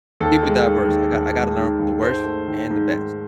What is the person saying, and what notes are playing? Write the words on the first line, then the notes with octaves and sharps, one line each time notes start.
Keep it diverse, I got I gotta learn from the worst and the best,
D#2 A4
G#3
D#3
D#2
D#2
G#3
D#3
D#2
G#2 C5
A3
D#3
G#2
G#2